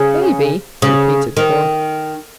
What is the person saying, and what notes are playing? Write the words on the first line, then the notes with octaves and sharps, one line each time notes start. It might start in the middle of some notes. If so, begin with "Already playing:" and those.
"Baby!" repeated the boy.
Already playing: C#3
C#3
D#3